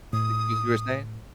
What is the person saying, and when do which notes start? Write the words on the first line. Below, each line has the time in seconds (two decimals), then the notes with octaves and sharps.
The You were saying?
0.13 A2 D#6